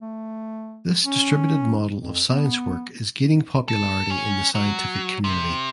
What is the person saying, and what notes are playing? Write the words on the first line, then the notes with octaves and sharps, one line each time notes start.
This distributed model of science work is gaining popularity in the scientific community.
A3
C#4
F2
B3
A4
C#4
F#3
C3